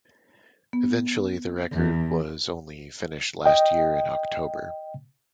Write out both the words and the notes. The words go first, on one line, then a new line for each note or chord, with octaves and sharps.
Eventually the record was only finished last year in October.
B3
E2
D#5 G5